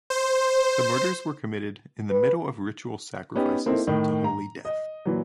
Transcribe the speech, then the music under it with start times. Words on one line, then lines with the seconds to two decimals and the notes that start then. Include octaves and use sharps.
The murders were committed in the middle of ritual sacrifices to Holy Death.
0.10 C5
2.10 B4
3.35 B3 C#4 D#4 G4
3.66 A#3 C4 D#4 E4 A4 C5
3.87 A2 D#3
4.24 A#5
4.65 D#5
5.05 A#2 E3 F#3